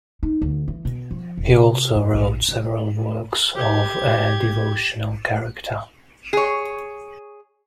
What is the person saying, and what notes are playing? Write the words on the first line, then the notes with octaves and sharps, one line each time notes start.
He also wrote several works of a devotional character.
D#4
D2
E3
B2
F3
E1
C3
F#2
A#1
C2
G4 G#6
G#4 C#5